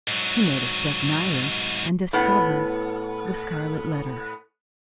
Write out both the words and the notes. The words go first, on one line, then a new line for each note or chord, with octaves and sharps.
He made a step nigher, and discovered the scarlet letter.
G#2 F#3
A2 B3